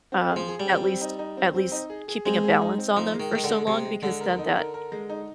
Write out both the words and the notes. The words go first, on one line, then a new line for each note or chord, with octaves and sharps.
um, at least at least keeping a balance on them for so long because then that
C4
G#4
F3
G#4
G3
C4
C4
D#4
D#4
C4
C4
D#4
G#4
G#4
G#3 C4
G#4
D#4
C4
F3 D#4
G#3
D#3
D#3 G#3
D3
G#3
C3 G#3
G#3
D3 G#3
A#4
D#4
A#4
A#4
G#3
D#4